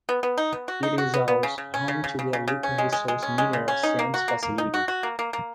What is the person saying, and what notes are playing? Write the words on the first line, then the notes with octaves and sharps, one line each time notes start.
It is also home to the Iluka Resources mineral sands facility.
B3
B3
D#4
B3
F#4
D#4
F#4
B3
B3
C#3
C#3
C#4
C#3
C#3
C#3
C#3
C#3
C#4
G#3
G#3
G#3
C#4
G#3
C#3
C#4
D#4
A#3
F#4
A#3
A#3
D#4
F#4
F#4
A#3
A#3
A#3